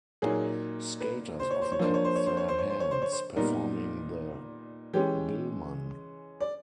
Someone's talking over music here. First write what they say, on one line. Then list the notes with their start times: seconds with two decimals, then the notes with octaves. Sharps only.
Skaters often cut their hands performing the Biellmann.
0.22 A#2 F#3 A#3 D#4 G#4
1.00 B4
1.40 C5
1.51 C#5
1.62 C5
1.72 C#5
1.79 F3 A#3 D4 C5
1.94 C#5
2.05 C5
2.16 C#5
2.26 C5
2.37 C#5
2.48 C5
2.59 C#5
2.70 C5
2.80 C#5
2.91 C5
3.02 C#5
3.12 C5
3.36 A#2 G3 B3 D#4 A#4
4.93 E3 G#3 C#4 G4
6.41 D5